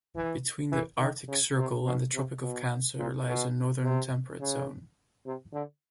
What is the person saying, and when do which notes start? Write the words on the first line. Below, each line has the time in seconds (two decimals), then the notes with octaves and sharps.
Between the Arctic Circle and the Tropic of Cancer lies the Northern Temperate Zone.
0.16 E3
0.72 E3
1.00 D#3
1.28 C#3
1.57 C3
1.85 B2
2.14 C3
2.42 B2
2.98 A#2
3.27 B2
3.83 C3
4.40 C#3
5.26 C3
5.53 D3